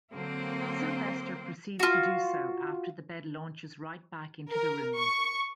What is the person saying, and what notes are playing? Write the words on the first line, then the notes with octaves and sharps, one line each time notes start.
Sylvester proceeds to do so after the bed launches right back into the room.
D3 F#3 A#3 C4
F4 F#4
A#4
C#6